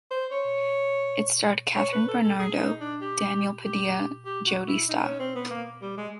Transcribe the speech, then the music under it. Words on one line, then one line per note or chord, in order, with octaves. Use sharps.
It starred Kathryn Bernardo, Daniel Padilla, Jodi Sta.
C5
C#5
C#5
B4
A4
A4
G#4
D#4
D4
G4
G4
G4
F#4
E4
D#4
C#4
C4
B3
A#3
G3
G#3